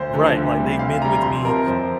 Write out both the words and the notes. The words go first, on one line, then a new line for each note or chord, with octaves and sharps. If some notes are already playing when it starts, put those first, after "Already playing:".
Right, like they've been with me
Already playing: D2 C5
D3 F3
D2
C3 G3
D2 F5
C3 G3 A#5
F2 C6
C3 F3 A#4
F2 C5